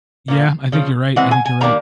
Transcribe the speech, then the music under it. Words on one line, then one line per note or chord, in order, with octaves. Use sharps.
Yeah, I think you're right, I think you're right.
A#2 F3 A#3
C#3 F3
E3 G#3 C4 F#5
G#5
G#5
D#3 G3 A#3 D4 A#5